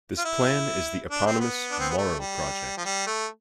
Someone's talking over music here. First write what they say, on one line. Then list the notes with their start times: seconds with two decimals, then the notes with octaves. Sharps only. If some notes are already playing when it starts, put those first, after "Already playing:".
This plan is the eponymous "Morrow Project".
0.18 F4
0.25 E4
1.11 D4
1.26 C4
1.40 B3
1.71 D4
1.80 C4
1.89 B3
1.98 A3
2.19 G3
2.78 F3
2.85 G3
3.07 A3